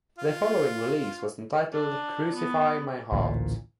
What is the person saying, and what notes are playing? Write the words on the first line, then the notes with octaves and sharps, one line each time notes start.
Their following release was entitled "Crucify My Heart".
F4
D4
B3
A1 D2 A#2